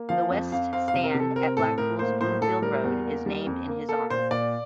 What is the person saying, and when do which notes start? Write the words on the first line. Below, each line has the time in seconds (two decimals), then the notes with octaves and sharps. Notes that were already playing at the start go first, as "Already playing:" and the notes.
The West Stand at Blackpool's Bloomfield Road is named in his honour.
Already playing: A#3
0.09 F3 F5
0.30 F2
0.52 F2 F5
0.73 C4 F5
0.88 F5
0.94 C3
1.04 A#4
1.14 C3
1.20 A4
1.36 C4 A#4
1.57 A2 A4
1.78 A2 A#4
1.99 A#3 C5
2.21 A2 C5
2.42 A2 A4
2.62 G3 A#4
2.84 E2
3.05 A#3
3.26 G3
3.47 F2
3.68 A#3
3.89 A#3 A4
4.10 A#2 C5
4.31 A#2 D5